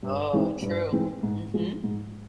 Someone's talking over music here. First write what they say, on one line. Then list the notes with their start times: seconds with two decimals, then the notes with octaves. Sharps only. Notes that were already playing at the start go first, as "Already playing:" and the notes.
Oh, true. Mhm.
0.03 G2
0.33 E3 G#3 C4 D#4
0.62 G2
0.92 E3 G#3 C4 D#4
1.23 G#2
1.54 F3 G#3
1.84 G#2